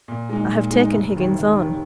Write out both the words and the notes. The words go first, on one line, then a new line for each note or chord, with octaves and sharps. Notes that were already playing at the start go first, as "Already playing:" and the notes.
I have taken Higgins on.'
A#2
G#3 D#4
A#2
G#3 D#4
F1
D#2 D#3
F1
D#2 D#3